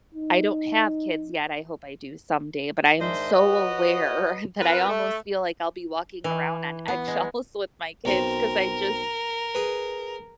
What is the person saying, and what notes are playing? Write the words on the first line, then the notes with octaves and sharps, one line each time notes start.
I don't have kids yet- I hope I do someday- but I am so aware, that I almost feel like I'll be walking around on eggshells with my kids, 'cause I just
D#4
G#2 D#3 D4 C5 D#5 E5
F#4 B4 C#5 D#5
C4 F4 A#4 B4
A3
E3
B3
G#3
B1 C4 A#4
G#4 B4